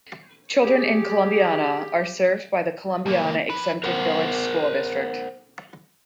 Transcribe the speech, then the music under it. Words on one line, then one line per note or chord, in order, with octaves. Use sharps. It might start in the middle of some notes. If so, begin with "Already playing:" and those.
Children in Columbiana are served by the Columbiana Exempted Village School District.
G4 G#4
C#2 A#3
F2 B4
A#4 C5 F#5